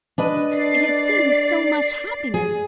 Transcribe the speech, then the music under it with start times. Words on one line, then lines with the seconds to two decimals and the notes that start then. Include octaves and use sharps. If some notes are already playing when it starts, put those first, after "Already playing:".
It had seen so much happiness.
0.18 D4 B4 D#5
0.52 D5 C7
2.34 G#4